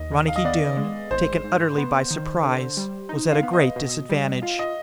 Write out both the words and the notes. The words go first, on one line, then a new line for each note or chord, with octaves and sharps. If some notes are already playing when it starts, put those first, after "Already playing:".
Ronicky Doone, taken utterly by surprise, was at a great disadvantage.
Already playing: D#2 D#5
D#3
F5
D#5
B3 D5
G#3
G#1 C5
G#2
B3
D#3
D3
G3
D#4
F5
B3
D#5
B2
G3
F4 F5
D#5